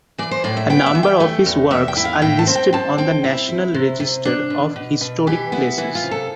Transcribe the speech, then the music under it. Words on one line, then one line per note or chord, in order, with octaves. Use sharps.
A number of his works are listed on the National Register of Historic Places.
E3 D5
C5
A2 D5
E5
B3 G5
E5
E3
G5
A3
E2
E2 E5
G5
E4
F5
A2 G5
A5
C4
G5
C4 A5
C4 G5
E4
E4
C3
C3
D4
B2
B2
B2
E3 G4
B3 E4
E3 E4
F4
C3
A4